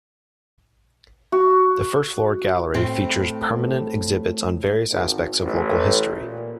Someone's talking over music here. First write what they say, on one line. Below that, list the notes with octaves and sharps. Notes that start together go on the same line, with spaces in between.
The first floor gallery features permanent exhibits on various aspects of local history.
F#4
A2 A3 C4
G#1
A1
A#2